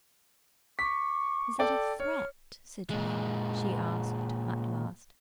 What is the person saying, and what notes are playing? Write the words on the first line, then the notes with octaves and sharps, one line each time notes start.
"Is that a threat, citoyen?" she asked at last.
C#6 D6 B6
A4 D5 G5
C#5 F6
A#2 G#3